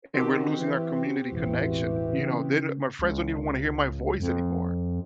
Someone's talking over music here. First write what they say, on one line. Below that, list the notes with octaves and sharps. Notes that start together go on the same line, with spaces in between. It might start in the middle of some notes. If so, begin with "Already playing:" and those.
and we're losing our community connection. You know, the my friends don't even want to hear my voice anymore.
D#3 C4 F#4 G4
E3
E1 A1 E3
C#3
C#2
F2